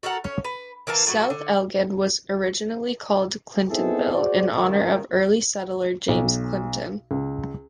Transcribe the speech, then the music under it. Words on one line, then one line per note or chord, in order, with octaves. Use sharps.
South Elgin was originally called Clintonville, in honor of early settler James Clinton.
F#4 A4 A#4 F#5
C#4 C#5
B4
E3 A#4 F5 A5
A2 F#3 F#4
D3
B3 C4 D#4 E4 G#4 A4
F#4 G#4 C5 D5
C#2 F#2 D#3
B1
C#2